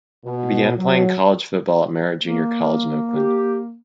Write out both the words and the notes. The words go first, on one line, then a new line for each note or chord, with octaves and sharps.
He began playing college football at Merritt Junior College in Oakland.
B2
F#3
A#3
G4